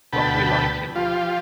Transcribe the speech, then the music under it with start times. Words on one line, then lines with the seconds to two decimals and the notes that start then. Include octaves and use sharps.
But we like him.
0.13 D2 B2 G5 A5 B5
0.95 F3 F4 G4